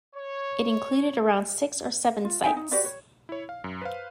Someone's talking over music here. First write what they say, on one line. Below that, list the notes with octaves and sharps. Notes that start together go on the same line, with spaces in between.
It included around six or seven sites.
C#5
F4
D#4 E5 G5 G#5
D#4
F#4 G4 B4 D5
C#5
E4 C#5
F5
F#2
B4 C5 F5